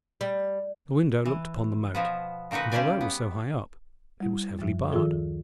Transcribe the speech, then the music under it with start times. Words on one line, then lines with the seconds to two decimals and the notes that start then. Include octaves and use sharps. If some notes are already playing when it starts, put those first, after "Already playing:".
The window looked upon the moat, and although it was so high up, it was heavily barred.
0.21 G3
1.25 E3
1.95 B2 F3 B3
2.51 A#2 D3 D#4 F#4 B4
2.72 C#3 G3 G4 C5 D5 G#5
3.01 B3
4.20 G3 E4
4.59 F#2 F3
4.91 D#3 F3 F4 G#4 A4
5.11 D2